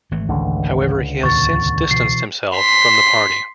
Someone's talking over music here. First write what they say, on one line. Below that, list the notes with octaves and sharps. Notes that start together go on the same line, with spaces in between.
However, he has since distanced himself from the party.
G#1 E3 A3
C#2 D3
D#2 A2 C3 C#6 A6
B2 E3 C7
C6 B6